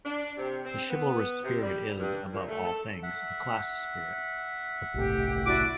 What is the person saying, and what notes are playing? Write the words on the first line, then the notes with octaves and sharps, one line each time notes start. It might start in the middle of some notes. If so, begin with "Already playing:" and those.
The chivalrous spirit is, above all things, a class spirit.
D4
C3
C4
B3
C3
G3
G2
A#2
A3
A4
E5 F#5
G1 C2 A2 G4
D4 E4 F#4 D6